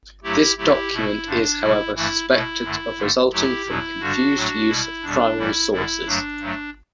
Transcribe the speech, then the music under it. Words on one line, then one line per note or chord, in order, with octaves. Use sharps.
This document is however suspected of resulting from confused use of primary sources.
G2 F#3 A3 E4 G4
E2 D3 F#3 A3 E4 G4
B2 A3 E4
G2 D3 A3 D4
B2 G3 E4
G2 E3 A3 E4
B2 A3 E4
F#2 D3 A3
G2 D3 A3
F#2 F#3 A3 E4 G4
E2 B2 F#3 E4
G2 D3 G3 D4 F#4
A2 F#3 A3
B2 G3 E4
E2 B2 G3 D4
G2 E3 G3 E4
F#2 D3 G3 E4
G2 F#3 A3 D4
G2 F#3 A3